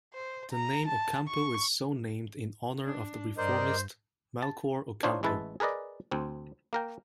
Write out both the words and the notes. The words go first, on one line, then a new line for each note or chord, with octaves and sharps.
The name "Ocampo" is so named in honor of the reformist Melchor Ocampo.
C5
A#5
A5
C#6
D4
G2 A#4 C5 D5 D#5
A5
D4 D#4 F4 C5 C#5
A1 G#3 E4 B4 E5 A5
G#4 A#4 B4 D5 D#5
D2 C4
A#3 A#4 G5